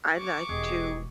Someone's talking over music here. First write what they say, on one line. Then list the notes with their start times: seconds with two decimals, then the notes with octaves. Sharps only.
I I like to,
0.16 C#6 D6
0.49 E1 G4 G#4 D#5